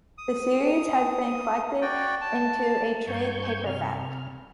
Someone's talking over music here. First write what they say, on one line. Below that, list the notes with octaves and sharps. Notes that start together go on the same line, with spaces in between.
The series has been collected into a trade paperback.
D#6
F#4 D5 G5
A5
G2 C#6 G6 G#6
C3 F6